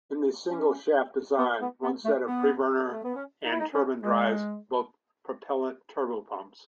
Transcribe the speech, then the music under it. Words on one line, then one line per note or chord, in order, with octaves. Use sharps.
In the single-shaft design, one set of preburner and turbine drives both propellant turbopumps.
C#4
B3
B3
B3
A3
B3
A3
B3
C#4
D#4
E4
D#4
C#4
G#3